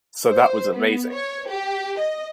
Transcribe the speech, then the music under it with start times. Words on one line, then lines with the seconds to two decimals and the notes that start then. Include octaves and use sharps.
So that was amazing.
0.30 C5
0.75 B3
1.14 C#5
1.48 G4
1.99 D#5